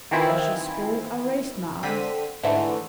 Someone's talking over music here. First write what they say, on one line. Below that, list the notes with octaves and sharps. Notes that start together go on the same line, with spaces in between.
As she spoke I raised my eyes.
D#3 E3 C4 E4 F4
D3 C4 B6 D#7
G#2 D3 E3 A3